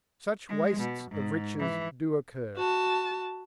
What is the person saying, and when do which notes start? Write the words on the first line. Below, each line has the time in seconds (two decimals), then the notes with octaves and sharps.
Such wastes of riches do occur.
0.49 G#3
0.80 B2
1.11 G#2
1.59 E3
2.56 F#4 A5